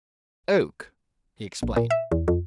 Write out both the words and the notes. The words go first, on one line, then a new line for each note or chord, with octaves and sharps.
"Oak," he explained.
A#1
A#2
E5
E2
F2